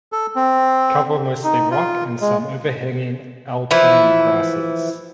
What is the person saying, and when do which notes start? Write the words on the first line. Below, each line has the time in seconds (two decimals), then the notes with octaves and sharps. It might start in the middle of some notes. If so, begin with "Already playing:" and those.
Cover mostly rock and some overhanging alpine grasses.
0.12 A4
0.36 C4
1.44 D#4
1.71 F4
2.21 G#3
3.71 E3 F3 E4